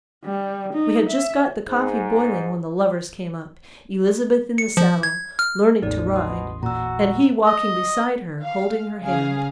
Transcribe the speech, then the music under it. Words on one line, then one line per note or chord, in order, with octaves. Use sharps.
We had just got the coffee boiling when the lovers came up, Elizabeth in the saddle, "learning to ride," and he walking beside her holding her hand.
G3
D#4
E5
G#2
C#7
F3
G#6
F6
A1 E2 D#4 D5
B2 C6 D#6
A#2 F#4 A#5 E6
D#5
F5
C#3 G#4 F5